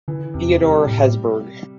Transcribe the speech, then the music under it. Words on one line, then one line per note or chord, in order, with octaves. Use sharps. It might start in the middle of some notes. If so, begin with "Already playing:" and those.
Theodore Hesburgh.
D3 E3
E2 C3
G3
A2 G3